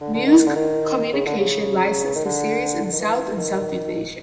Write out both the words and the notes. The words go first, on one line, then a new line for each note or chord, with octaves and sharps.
Muse Communication licensed the series in South and Southeast Asia.
D3
D3
D#3
D#3
D3
D#3
C#3
D3
C#3
D#3
D3
D3
D#3
E3
D#3